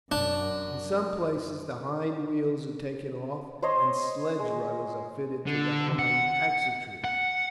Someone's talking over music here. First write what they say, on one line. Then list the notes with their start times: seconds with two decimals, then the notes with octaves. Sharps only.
In some places the hind wheels are taken off, and sledge runners are fitted to the hind axletree.
0.12 F#2 D4
3.62 C5 C#5 D#5 C6
4.39 G#3
5.46 D3
5.99 F#5
7.04 F#5